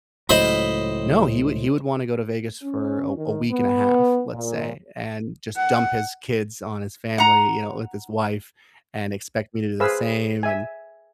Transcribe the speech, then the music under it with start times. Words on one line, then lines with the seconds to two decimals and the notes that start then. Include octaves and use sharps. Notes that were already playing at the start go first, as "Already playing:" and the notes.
no, he would he would wanna go to Vegas for a a week and a half, let's say, and just dump his kids on his family, you know, with his wife and expect me to do the same, and,
0.29 C#2 A2 F#3 C5 D#5 B5
2.63 C#4
3.17 D#3
3.50 B3
4.33 A#2
5.57 F#5
7.18 F#5 A#5
9.80 G#4 B4 C5 F5 E6
10.43 E5 G#5